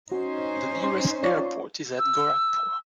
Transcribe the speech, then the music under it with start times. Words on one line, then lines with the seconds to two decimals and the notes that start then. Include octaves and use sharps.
The nearest airport is at Gorakhpur.
0.12 C#4 D#4 F#4 C5
0.84 C6
1.23 F4 C#5 D5
1.99 E6